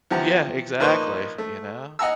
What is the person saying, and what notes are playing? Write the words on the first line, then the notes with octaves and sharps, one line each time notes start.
Yeah, exactly, you know?
E2 F3 G4 F#5 A#5
A#1 A#3 D#4 B4 C5 C#6
A3
D#5 F#5 G#5 A#5 E6